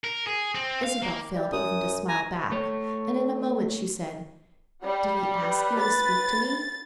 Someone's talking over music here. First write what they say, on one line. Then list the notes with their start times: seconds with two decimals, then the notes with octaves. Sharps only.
Isabel failed even to smile back and in a moment she said: "Did he ask you to speak to me?"
0.04 A#4
0.27 G#4
0.55 C4
0.83 F5
1.03 A#3
1.36 G3
1.52 F#2 D#6
2.08 G#5 A#5
2.52 A3 C#5
4.83 G3
5.43 B4
5.79 A6